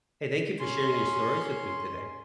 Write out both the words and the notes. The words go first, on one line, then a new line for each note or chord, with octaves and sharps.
Hey, thank you for sharing your stories with me today.
C#4 C6